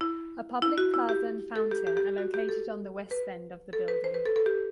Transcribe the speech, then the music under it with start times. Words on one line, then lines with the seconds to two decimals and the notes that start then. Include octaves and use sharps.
A public plaza and fountain are located on the west end of the building.
0.01 E4
0.62 E4
0.78 F#4
0.94 E4
1.09 G4
1.56 A4
1.71 G4
1.87 G4
1.97 G4
2.18 F#4
2.34 G4
2.49 A4
3.11 B4
3.73 A4
3.88 B4
4.04 C5
4.14 B4
4.26 A4
4.36 A4
4.46 G4